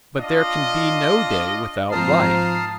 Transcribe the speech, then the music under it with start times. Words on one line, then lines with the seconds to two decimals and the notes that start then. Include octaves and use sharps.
But there can be no day without light.
0.17 D4 F4 D#5
1.92 G#2 F3 C4 A5 A#5 D#6 F6 C7